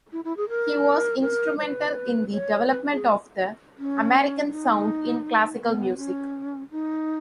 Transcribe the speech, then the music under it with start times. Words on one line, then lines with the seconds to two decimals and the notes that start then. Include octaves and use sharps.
He was instrumental in the development of the "American Sound" in classical music.
0.13 E4
0.25 E4
0.37 G#4
0.49 A#4
1.22 A#4
1.59 C#5
1.63 B4
2.32 C#5
2.68 B4
2.93 G#4
3.78 C#4
4.51 D#4
5.61 B3
5.98 C#4
6.71 D#4